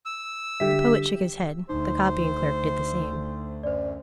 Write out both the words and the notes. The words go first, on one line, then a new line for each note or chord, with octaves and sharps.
The poet shook his head, the copying-clerk did the same.
E6
D3 G3 G4 E5 B6
D2 D#4 C5
F#2 C5 D5